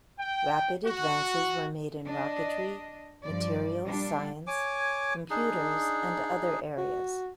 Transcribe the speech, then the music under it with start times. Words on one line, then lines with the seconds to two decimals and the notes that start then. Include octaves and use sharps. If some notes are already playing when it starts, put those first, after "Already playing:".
Rapid advances were made in rocketry, materials science, computers and other areas.
0.19 G5
0.85 F#4
2.05 D4 D#5
3.24 G2 F3 D5
3.84 A#2 G3 D4
4.47 C#5 G#5 D6
5.30 D4 D#4 G#4
6.78 F#4